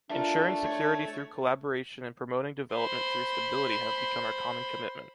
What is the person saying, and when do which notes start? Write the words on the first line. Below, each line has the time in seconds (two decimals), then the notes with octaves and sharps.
Ensuring security through collaboration and promoting development through stability have become our common commitment.
0.11 D4 F4 A4 A#4 E5
0.62 C#5
2.73 C5 B5